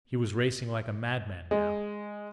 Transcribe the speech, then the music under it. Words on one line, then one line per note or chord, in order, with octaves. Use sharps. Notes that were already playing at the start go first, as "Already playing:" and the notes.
He was racing like a madman now.
G#3